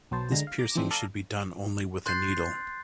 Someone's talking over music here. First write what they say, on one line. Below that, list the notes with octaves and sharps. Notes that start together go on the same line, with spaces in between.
This piercing should be done only with a needle.
B1 F#3 B3 C5 A5
D3 G#3 A#5
F5
A#5 D6
E3 F3 G#3 C4 D4
A4 D5 F5 A#5
C6 F#6 G6 A6 C7